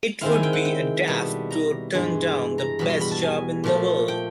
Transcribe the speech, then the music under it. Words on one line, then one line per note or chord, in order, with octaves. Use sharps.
It would be daft to turn down the best job in the world.
D#3 G#3 C4 E4 F5
G#5
G5
F#5
G5
B2 G3 B3 A5
A#5
G2 E3 G#3
A#5
E2 B2 G3 B5
C6
B5
A5
G#5
A#2 F3 A3
G5